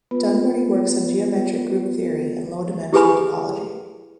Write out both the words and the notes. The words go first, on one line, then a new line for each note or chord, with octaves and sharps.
Dunwoody works on geometric group theory and low-dimensional topology.
B3 F4 B4
E4 G4 G#4 B4 G#5 B5